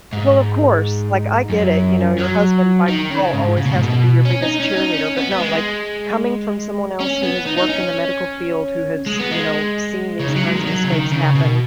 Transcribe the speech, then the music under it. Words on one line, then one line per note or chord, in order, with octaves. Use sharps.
Well, of course, like I get it, you know, your husband by default always has to be your biggest cheerleader, but no, like, coming from someone else who has worked in the medical field, who has, you know, seen these kinds of mistakes happen
G#2
F#2
F#3
D#3
C#3
G#2
C#3
B2
G#2
B2
C#4
D#4
C#4
D#4
C#4
B3
B3
G#3
C#4
B3
D#4
D#4
C#4
G#3
B3
G#3
C#3
D#3
F#3
G#3
D#3
F#3
C#3
D#3
C#3
B2